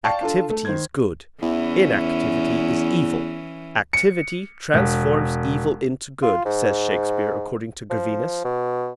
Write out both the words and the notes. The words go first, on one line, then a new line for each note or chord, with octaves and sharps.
"Activity is good, inactivity is evil. Activity transforms evil into good," says Shakespeare, according to Gervinus.
D5 F5 G5 A5 C#6
D4 F4 A4 A5
A3
D#3 C5 G#6
E2 E3 C#4
C#7
E1
F4
G#2
F3
B2